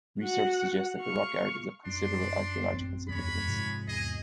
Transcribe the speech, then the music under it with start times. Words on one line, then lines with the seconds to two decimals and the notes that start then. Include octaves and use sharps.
Research suggests that the rock art is of considerable archaeological significance.
0.21 F#4 F#5
0.98 F5 C#6
1.86 F#2 D4 D5 C6
2.73 A1 F2 C4
3.09 E2 G#3 C#5 B5
3.47 G#2 C3 F3
3.88 E2 G#4 D#5